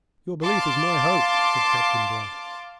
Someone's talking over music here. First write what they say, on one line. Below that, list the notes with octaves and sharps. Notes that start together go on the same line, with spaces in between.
"Your belief is my hope," said Captain Blood.
F5 A5 C6 D6